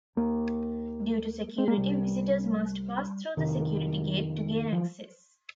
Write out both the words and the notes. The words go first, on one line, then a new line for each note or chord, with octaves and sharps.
Due to security, visitors must pass through the security gate to gain access.
D#2 A#3
C4
A#3
C2 C3 G3
F2 C3 D#3
F3